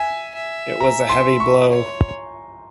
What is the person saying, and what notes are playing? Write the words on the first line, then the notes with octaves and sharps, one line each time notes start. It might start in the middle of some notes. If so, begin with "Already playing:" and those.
It was a heavy blow.
Already playing: E5 G#5
E5
A#5
C6
C#6
C#5